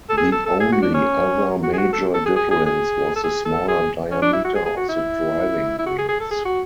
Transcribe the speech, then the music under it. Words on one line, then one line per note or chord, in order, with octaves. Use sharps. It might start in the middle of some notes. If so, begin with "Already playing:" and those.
The only other major difference was the smaller diameter of the driving wheels.
A4
G#4
A4
A4
G#4
F#4
D4
C#4
F#4
G#4
F#4
A4
A4
G#4
G#4
G#4
G#4
A4
G#4
A4
G#4
C#4
D4
E4
F#4
G#4
G#4
F#4
E4
E4
F#4
G#4
G#4
A4
G#4
F#4